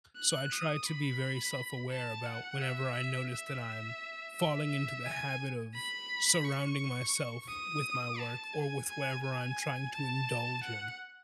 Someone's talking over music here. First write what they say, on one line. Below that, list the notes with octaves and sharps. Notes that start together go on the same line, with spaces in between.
So I tried to be very self-aware about whenever I noticed that I'm, falling into the habit of, surrounding myself with my work, or with whatever I'm trying to indulge in.
F#6
D#6
B5
A5
F#5
E5
E5
E5
G#5
B5
C#6
D#6
A5
G#5
G#5
G#5
A5
F#5